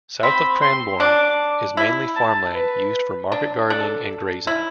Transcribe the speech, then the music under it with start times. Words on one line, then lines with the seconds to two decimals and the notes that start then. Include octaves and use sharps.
South of Cranbourne is mainly farmland, used for market gardening and grazing.
0.23 C4 B5
0.62 C6
1.00 D4 D6
1.77 E4 B5
2.16 A5
2.54 B4
3.32 D4
3.70 D4 A4
4.47 E4